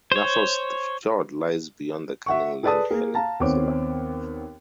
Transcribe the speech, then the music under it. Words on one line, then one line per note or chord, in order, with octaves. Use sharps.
Nathorst Fjord lies beyond the Canning Land Peninsula.
C5 C#5
E5 F#5 C#6
G#4 A4 B4 D5 A5 D#6
A#3 G#4
F5 A5 A#5
D#2 B3 C4 C#5 D6